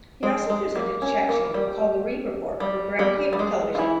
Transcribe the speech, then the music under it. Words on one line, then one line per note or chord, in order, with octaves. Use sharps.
He also presented a chat-show called the "Reid Report" for Grampian Television.
G#3
G#3
A#3
C#4
A#3
G3
G3
G3
G3
G#3
F4
E3 E4